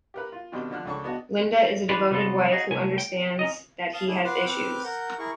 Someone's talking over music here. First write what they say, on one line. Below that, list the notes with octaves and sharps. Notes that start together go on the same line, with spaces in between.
Linda is a devoted wife who understands that he has issues.
G4 A#4 B4
F4
B2 D#3 C4 D4 G4
D3 F3 D4 F6 F#6
C#2 C#3 D4 A4 C#6
B3 D4 F#4 D#5 A5
E3 C#4 D4 F4 B4 D5
C3 G3 B3 F4 A4
D#4 F#4 G#4
C2 A3 G#5
G5
C#4 D#4 D#5
F5 A5 D#6
A3 D4 E4 G#4
F4 B4 F#5 C6 D6
C4 B4 D6 F6 G6
A#4 F#5 G6
E4 G#4 A#4 C#6